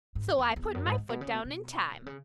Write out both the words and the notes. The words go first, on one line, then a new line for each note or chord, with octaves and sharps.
So I put my foot down in time.
G#2
E2
E2
E2
F#2
G#2
G#2
B2
C#3
B2
B2
C#3